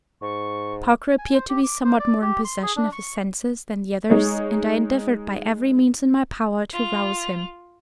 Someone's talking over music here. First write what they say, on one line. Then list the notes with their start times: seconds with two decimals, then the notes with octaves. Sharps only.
Parker appeared to be somewhat more in possession of his senses than the others, and I endeavoured, by every means in my power, to rouse him.
0.22 G#2 C#6
1.18 G#5
1.33 C5
1.49 G4
1.63 D6
1.84 C5
2.00 D5
2.22 G4
2.45 C6
2.63 G#4
2.76 D4
2.92 C#6
4.10 G#3 D#4 C#5
6.73 F4 F7